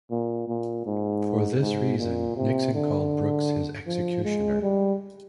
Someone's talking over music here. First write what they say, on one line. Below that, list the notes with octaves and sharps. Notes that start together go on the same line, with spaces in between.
For this reason, Nixon called Brooks his executioner.
A#2
A#2
G#2
G#2
A#2
C3
D3
F3
G#3
G3